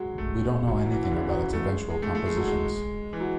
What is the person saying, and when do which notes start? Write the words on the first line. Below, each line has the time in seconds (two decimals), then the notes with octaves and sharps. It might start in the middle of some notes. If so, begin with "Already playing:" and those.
We don’t know anything about its eventual compositions.
Already playing: F#3 G#3
0.18 A3
0.43 G#3
0.67 F#3
0.79 E3
0.86 F#3
0.92 E3
1.04 D3
1.11 C#3
1.16 D3
1.29 F#3
1.53 A3
1.65 G#3
1.90 G#3
2.02 A3
2.15 A3
2.26 G#3
2.37 F#3
2.48 G#3
3.13 E3
3.20 F#3